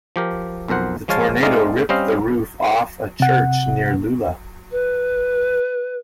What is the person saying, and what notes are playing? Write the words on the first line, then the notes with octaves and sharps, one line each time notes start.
The tornado ripped the roof off a church near Lula.
F3 G4 A#4
B1 F2 A#4 C5 F#5
F3 G#3 C#5 F5 A5
G#3 A3 C4 D#4 D5 F5
G3 C4 C#4 C5 D#5 F5
C3 F#5
B4